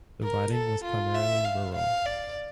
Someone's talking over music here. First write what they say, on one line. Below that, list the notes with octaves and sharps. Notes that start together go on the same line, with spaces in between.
The riding was primarily rural.
A#4
A4
F4
E5
F5
F5
D5